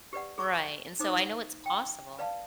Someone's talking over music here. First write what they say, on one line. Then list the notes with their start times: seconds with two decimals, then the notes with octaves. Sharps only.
Right, and so I know it's possible.
0.13 G4 B4 D5 F#5
0.38 G#4 C#6 D6
1.00 D#4 C5 D6 D#6
1.66 G5
2.19 B4 D5 F5 A5